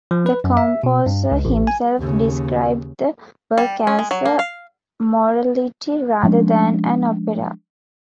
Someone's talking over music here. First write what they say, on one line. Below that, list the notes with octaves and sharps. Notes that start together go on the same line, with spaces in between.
The composer himself described the work as a 'Morality' rather than an opera.
F3
B4
F#2
E5
B2
G2
C#2
A1
G#5
D#2 C#3
G3
C#4
G#3
F#3
A#3
F5
F3 G#3 C#4 D4